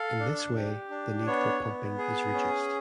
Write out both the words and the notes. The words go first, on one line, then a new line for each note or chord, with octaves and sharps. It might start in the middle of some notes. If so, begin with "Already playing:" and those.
In this way, the need for pumping is reduced.
Already playing: A4 F5
D4
G4
D4
B3 C#5
B3
G#4
C#4